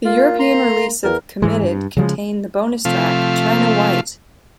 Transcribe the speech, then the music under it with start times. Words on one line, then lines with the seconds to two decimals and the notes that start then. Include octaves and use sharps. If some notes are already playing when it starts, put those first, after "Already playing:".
The European release of "Committed" contained the bonus track "China White".
0.05 A#3 F4
0.39 A#5 C6
1.04 E2 A#4
1.42 G#2 E3 G#3
1.63 G2
1.97 C#3 F3 F#3 G#3
2.85 C3 F3 A3 F5